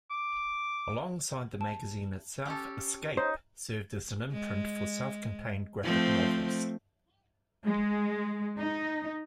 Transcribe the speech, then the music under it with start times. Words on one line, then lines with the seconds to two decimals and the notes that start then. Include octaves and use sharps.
Alongside the magazine itself, "Escape" served as an imprint for self-contained graphic novels.
0.10 D6
1.61 A5
2.45 C#4 G4 A4
3.17 D#4 C5 C#5
4.32 G#3
5.83 F3 A3 C4
7.66 G#3
8.58 D#4